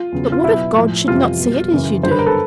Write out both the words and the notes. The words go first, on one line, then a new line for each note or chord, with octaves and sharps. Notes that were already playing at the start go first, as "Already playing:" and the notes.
"But what if God should not see it as you do?"
Already playing: F4
E2 C#3 F#3
F4
B2 F#3 E4
A2 F3
F2 C3 E3 G3 F4
B2 G3
F#2 C#3 E3
G2 D3 G3 C5
B4
A#4
A4 B4